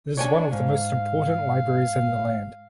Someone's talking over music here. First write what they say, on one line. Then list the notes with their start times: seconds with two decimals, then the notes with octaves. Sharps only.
It is one of the most important libraries in the land.
0.17 D4 C#5 G5 G#5
0.52 G#2 F5